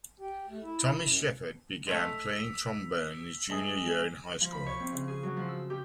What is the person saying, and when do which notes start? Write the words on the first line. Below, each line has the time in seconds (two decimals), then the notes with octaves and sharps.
Tommy Shepard began playing trombone in his junior year in high school.
0.20 G4
0.49 A3
0.63 E4
1.02 F#2
1.87 G#3 A3 E5 E6 B6 F7
3.49 G#3 G#4 D#5 E5
4.41 F3
4.52 B5
4.66 C#5
4.80 C4
4.92 C#3
5.08 G#4
5.23 F#3
5.37 F3
5.49 E6
5.70 G4